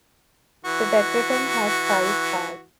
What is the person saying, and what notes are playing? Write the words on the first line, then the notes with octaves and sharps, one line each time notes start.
The "Decretum" has five parts.
E3 F#4